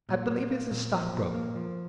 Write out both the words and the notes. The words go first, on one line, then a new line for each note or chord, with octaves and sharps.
I believe he's a stockbroker.
A#2
A#2
A#3
A#2
F3
A#2
A#3
F3